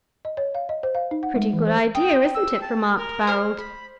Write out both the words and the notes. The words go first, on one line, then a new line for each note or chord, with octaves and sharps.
"Pretty good idea, isn't it?" remarked Barold.
D#5
C#5
F5
D#5
C5
F5
D#4
F#5
G#3
E3
C5
G5 D#6
E6
A5
A#4
C5 F6
B5